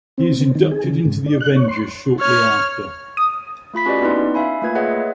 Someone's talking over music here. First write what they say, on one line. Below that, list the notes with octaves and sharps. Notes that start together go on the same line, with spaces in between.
He is inducted into the Avengers shortly after.
C4
C4
D#3
G#4
C#3
G#2
D4
F#6
C#5
C6
C#5 F6
D#6
A3 F4 B5 B6
C#4 F#4 G4 B4 D5 D#5
B3 C4 D#4 E4 B4 C6
E5 F5 G#5 B5
A3 A#3 F4 B4 G#6
G#4 B4 C#5 D#5 E5 F#5